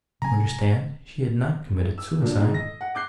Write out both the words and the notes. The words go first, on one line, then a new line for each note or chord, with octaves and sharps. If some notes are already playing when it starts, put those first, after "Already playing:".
You understand she had not committed suicide.
C3 F#3 C4 G#5 A#5
E6
A#2 F#3 D4
G#2 D#4
D#5 A#6
F#5
D6 F#6 G6 C7